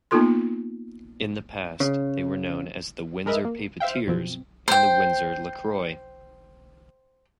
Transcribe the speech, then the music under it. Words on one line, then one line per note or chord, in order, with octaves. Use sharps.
In the past, they were known as the Windsor Papetiers and the Windsor Lacroix.
A#3 B3 D#4 F4 A4 C6
C#3
G#3 A#4 B4 D#5 E5
A#3
C5 E5 F5 G5
F#2 B2 F3 C4
C5 G5